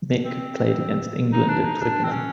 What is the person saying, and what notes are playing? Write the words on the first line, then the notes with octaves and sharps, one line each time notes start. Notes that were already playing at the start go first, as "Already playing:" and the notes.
Mick played against England at Twickenham.
C4
D#4
D4
D#4
D4
C4
C#4